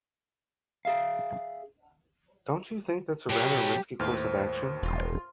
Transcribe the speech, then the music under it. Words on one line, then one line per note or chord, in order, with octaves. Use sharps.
Don't you think that's a rather risky course of action?
G#4 E5 F5
B2 F#3 G4
D#2 A2 C4 B4 C5 F6
E1 F4